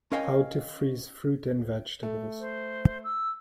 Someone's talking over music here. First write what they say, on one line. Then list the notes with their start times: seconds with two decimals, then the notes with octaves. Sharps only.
How to freeze fruit and vegetables.
0.12 C#4 A#4 D#5 F5 G5 G#5
2.03 A3
2.39 C5
3.03 E6